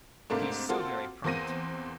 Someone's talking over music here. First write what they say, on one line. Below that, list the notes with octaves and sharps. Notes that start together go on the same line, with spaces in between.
He's so very prompt!
G#2 C3 A3 A#3 D4
A#3 C4 F4 F#4 A4
E2 A#3 C4 A#6 D#7